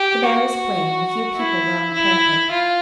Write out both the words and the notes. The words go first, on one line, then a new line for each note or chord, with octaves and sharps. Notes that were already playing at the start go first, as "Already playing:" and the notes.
The band was playing, and a few people were on the parapet.
Already playing: G4
F#4
E4
E4
F4